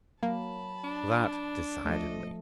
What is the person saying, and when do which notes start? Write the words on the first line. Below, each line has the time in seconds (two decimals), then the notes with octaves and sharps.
That decided me.
0.23 F#3 A#3 A5 B5
0.84 D4
1.85 F3 A3 A4 D#5